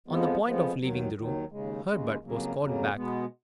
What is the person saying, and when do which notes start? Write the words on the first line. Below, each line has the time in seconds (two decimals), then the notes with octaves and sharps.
On the point of leaving the room, Herbert was called back.
0.08 F2 F3 G#3 B3
0.45 F2 F3 G#3 B3
0.80 D#2 D#3 F#3
1.16 D#2 D#3 F#3
1.52 D#2 C#3 G#3
1.88 D#2 C#3 G#3
2.24 F2 C#3 F#3 A#3
2.60 F2 C#3 F#3 A#3
2.96 B2 G#3 B3